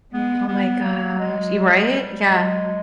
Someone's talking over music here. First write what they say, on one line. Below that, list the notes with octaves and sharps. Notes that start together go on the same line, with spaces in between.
Oh my gosh y right? Yeah.
G#3 B3
G3 B3
A#3
F#3 G#3
G3
F#3 G#3